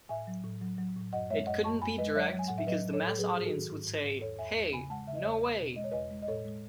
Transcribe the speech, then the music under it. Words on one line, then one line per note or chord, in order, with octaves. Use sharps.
It couldn't be direct because the mass audience would say, Hey, no way.
A2 E5 G#5
F#3
A2
F#3
F#3
A2
F#2 D#5 F#5
G#3 C#5 E5
F#2 D#5 F#5
F#2 A5 C#6
F#2 G#5 B5
G#3 B4 D#5
F#3 C#5 E5
F#3
G#5
A2 F#5
E5
F#3 B4 D#5
F#3
A4 C#5
A2
A4
F#3 G#4 B4
G#2 G#4
F#4 A4
D#3
G#2
G#2
G#2
E2 A4 C#5
E2 E5 G#5
E2
C#3 G#5 B5
G#3 F#5 A5
C#3 E5
D#5
E2 C#5 E5
E2
B2
G#3 D#5
C#5
E2 B4 D#5
G#3
D#5
A2 A4 C#5
G#3